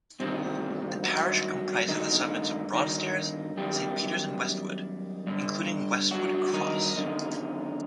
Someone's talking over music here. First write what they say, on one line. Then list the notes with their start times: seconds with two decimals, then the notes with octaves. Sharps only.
The parish comprises the settlements of Broadstairs, Saint Peter's and Westwood, including Westwood Cross.
0.20 G2 C3 D#3 C4
1.04 F#3 F#4
1.88 G2 D3 D#3 D#4
2.73 D#3 D#4
3.57 F#2 D#3 G3 G4
5.27 G2 D3
6.11 F#3 F#4
6.53 D#3 D#4
6.96 F#2 D3